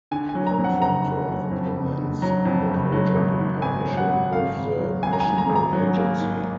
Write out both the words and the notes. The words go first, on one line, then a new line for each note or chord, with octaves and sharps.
A contractor implements the project in partnership with the national agency.
D3 G#5
G#5
F#3
A#5
F2
F#5
F#1 A#5
D3
F#3
F2
F#1
D3
F#3 A#5
F2
F#1
F#3
G#1
G#2
G#1 G#5
F#3
F#5
G#1
G#2 F5
G#1
F#3
G#1 G#5
A#5
G#5
G#2
A#5
G#1
A#5
F#3
A#3
G#2